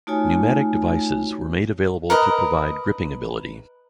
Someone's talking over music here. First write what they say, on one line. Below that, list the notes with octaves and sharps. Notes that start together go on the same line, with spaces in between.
Pneumatic devices were made available to provide gripping ability.
A3 D#4 F4 F#4 C#5 G#5
A#4 B4 D#5